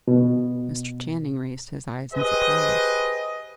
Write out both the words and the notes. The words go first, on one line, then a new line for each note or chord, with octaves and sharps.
Mr. Channing raised his eyes in surprise.
B2
G4 G#4 B4 C5 D#5